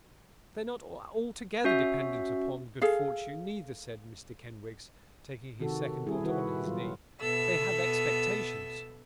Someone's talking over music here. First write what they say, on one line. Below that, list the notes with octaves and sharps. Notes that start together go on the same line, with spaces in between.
'They're not altogether dependent upon good fortune, neither,' said Mr Kenwigs, taking his second daughter on his knee; 'they have expectations.'
C#4 F#4 E5
G#4 A4 F5
C3 D#3 F#4 A4
G3 E4 G#4
D#3 E4 F#4 B4
F#3 F4
B2 B3 A4 E5 E6